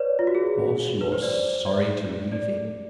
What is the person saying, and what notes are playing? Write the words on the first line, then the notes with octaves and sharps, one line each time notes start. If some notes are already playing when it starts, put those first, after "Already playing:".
"Because you are sorry to leave it?"
Already playing: B4 C#5 D5
F4
F#4
G#4
B4
C5
D5
D5
D5